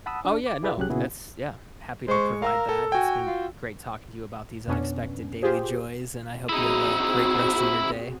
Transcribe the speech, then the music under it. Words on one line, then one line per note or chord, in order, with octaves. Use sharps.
Oh, yeah, no, that's yeah. Happy to provide that. It's been great talking to you about these unexpected daily joys, and I hope you have a great rest of your day.
F#5 A5 B5 D#6 E6
D4
D6
E4 G#4 B4 D5 E5
C2 F#3 C#4 G4 G#4 F#6
A#2 C#3 B3 E4 F#4 G#4
G#3 C5 C#6
A#4 F5 A#5 E6
A4
F#4 G5 G#5
F4
F2 B2 B3 C#4 D4
F4 G4 G#4 C5
C4 D#4 E4 F#4 G#4